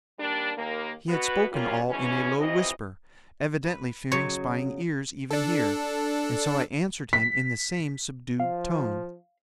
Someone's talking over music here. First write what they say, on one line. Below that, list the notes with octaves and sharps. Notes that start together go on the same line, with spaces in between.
He had spoken all in a low whisper, evidently fearing spying ears even here, and so I answered him in the same subdued tone.
D#2 G3 A#3 D4
D#2 A#3
B2 B3 F#4 B4
F#3 G3 A#3 C#4 F4
G#2 B2 E3 C#4
C3 E3 F3 D#5
B4
C#3 F#3 C#5 D#5
D4 A4
B6
F3 F5